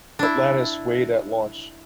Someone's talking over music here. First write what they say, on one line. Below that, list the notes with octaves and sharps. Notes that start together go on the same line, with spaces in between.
"Atlantis" weighed at launch.
D4 E4